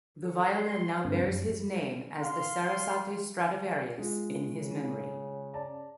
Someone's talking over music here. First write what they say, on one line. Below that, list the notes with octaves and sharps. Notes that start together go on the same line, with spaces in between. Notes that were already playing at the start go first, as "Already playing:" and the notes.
The violin now bears his name as the "Sarasate Stradivarius" in his memory.
A4
C6
G2 D3 C4 B4
F#2
F5 C6
G#3 F4
C#3
D5 A5 A#5